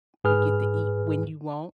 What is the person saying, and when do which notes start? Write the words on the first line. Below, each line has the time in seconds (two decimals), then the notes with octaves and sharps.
you get to eat when you want
0.24 G#2 G#4 B4 F6